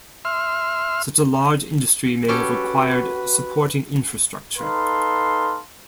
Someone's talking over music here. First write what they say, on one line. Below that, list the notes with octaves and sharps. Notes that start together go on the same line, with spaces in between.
Such a large industry may have required supporting infrastructure.
E5 C6 F6
C#4 F#4 G4 A4 B4
D#4 A4 B4 F5 C6